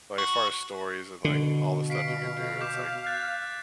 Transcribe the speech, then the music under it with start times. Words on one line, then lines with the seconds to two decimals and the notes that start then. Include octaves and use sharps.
But, as far as stories and, like, all the stuff you can do, it's like
0.18 F#4
1.25 B2 D3
1.90 F5 B6 C7 D7
2.61 D6 G6 B6
3.06 F#6 G6 A6